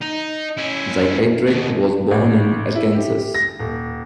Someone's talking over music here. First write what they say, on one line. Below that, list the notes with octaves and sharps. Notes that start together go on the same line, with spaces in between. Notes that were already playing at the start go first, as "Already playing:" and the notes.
Zeichiedrich was born in Arkansas.
D#4
C#4 E4
D#2 B2
A1
E4
G4
A#6
D#1